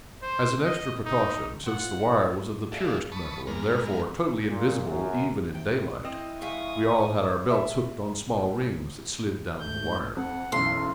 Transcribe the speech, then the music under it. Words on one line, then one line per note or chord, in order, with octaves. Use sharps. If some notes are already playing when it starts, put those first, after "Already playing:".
As an extra precaution, since the wire was of the purest metal, and therefore totally invisible, even in daylight, we all had our belts hooked on small rings that slid down the wire.
C5
D#5
D#4
F4 C5 F#5
F#4 G#4 A4 D5 E5 F5
A5 B5 C#6 D#6
G2 G#3 B3 A#4 F6
A#2
F#2
C3 G5
C4 E4 D#5
G#3 E5 F5 C#6 D#6
E5
G#2 A3 G6
F2 F#5
B1 F#2 E3 C6